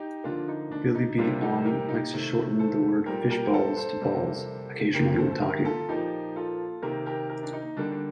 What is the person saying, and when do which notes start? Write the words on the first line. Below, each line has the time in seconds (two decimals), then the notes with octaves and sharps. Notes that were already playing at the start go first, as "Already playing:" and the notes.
Billy B. Ong likes to shorten the word "fishballs" to "balls" occasionally when talking.
Already playing: D#4 G4
0.24 D3 F3 A#3 D4 F4
0.48 D#4
0.72 D4
0.95 D#4
1.18 C3 G3 A#3 D4 F4
1.42 D#4 G4
1.65 G4 A#4
1.88 D#4 G4
2.13 C3 D#3 A3
2.59 A4 C5
3.06 A#2 G3 A#3 G4 A#4
3.30 G4 A#4
3.53 A4 C5
3.77 A4 C5
4.01 C3 G3 A#3
4.94 D3 A3 G4 A#4
5.18 A4 C5
5.31 A4
5.42 G4 A#4
5.65 F4 A4
5.88 A#2 F3 A#3 D#4 G4
6.36 F4 A4
6.82 C3 D#3 A#3 G4 A#4
7.06 G4 A#4
7.29 G4 A#4
7.43 D4
7.53 D#4
7.77 D3 G3 A#3 D4
7.92 D4